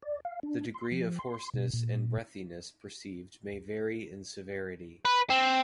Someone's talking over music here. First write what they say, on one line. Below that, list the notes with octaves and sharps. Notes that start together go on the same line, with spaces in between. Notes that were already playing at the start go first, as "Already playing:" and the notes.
The degree of hoarseness and breathiness perceived may vary in severity.
D5
F5
D4
C6
F3
C6
B2
A#2
B4
C4